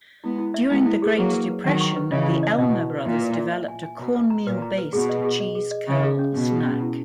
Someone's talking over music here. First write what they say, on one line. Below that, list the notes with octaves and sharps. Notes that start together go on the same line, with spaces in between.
During the Great Depression, the Elmer brothers developed a cornmeal-based cheese-curl snack.
G#3 B3 E4
E4
E5
G#3 B3 E4
E4
G#4
F#3 A#3 B4
B4
B4
D#3 F#3 F#5
C#6
B4
C#3 E3 D#5
E4
D#5
B2 D#5
E4
B4
A#2 E5
B4
E5
E5
G#5
G#5
B2 A#5
B4
A#5
A#2 B4
A#5
B4
B2 G#4
D#5
G#4
D#5
G#4
D#5
C#3 C#4
G#4
C#4
B2 C#4
G#4
C#4
E4